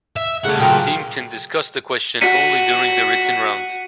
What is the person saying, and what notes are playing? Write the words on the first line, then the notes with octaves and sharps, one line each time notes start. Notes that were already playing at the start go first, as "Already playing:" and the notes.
The team can discuss the question only during the written round.
E5
C#3 G3 A3 F#5
A#2 C#3 F#3 G5 D#6 F6
F#4 B6 C#7 D#7